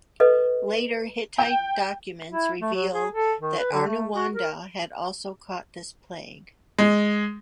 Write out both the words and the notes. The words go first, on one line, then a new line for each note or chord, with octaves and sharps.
Later Hittite documents reveal that Arnuwanda had also caught this plague.
A4 B4 D#5
G5
E4
A3
F#3
G#4
A4
D#3
B4
D3
A3
F#4
A#4
G#3